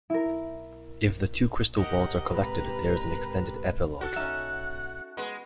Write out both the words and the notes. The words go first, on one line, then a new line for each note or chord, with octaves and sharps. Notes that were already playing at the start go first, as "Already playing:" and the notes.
If the two crystal balls are collected, there is an extended epilogue.
E4 A#4
G4 A#4 D#5 F#5
G#2 C3 B4 A#5
F#4 A4 F#5
C#4 D#4 E5
G#3 B3